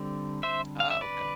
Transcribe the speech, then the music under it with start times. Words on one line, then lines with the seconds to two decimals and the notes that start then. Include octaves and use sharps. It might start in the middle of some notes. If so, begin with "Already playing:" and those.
Ah, okay.
Already playing: D3 G3 C4
0.43 C5 E5
0.80 F5
0.90 E5
1.01 B4 D5